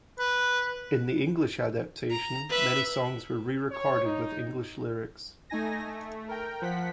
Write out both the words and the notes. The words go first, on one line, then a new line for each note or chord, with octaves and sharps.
In the English adaptation, many songs were re-recorded with English lyrics.
B4
A#5
B4 E5
C#5
D#4
A3 D#4 G#5 A#6
A3
A#4 G5
F3 F#5 B6